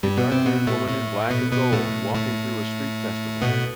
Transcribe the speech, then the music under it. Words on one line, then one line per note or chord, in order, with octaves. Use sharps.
A darkhaired woman in black and gold walking through a street festival.
G2 G3
B2 B3
C3 C4
B2 B3
A2 A3
A2 A3
B2 B3
B2 B3
A2 A3
A2 A3
B2 B3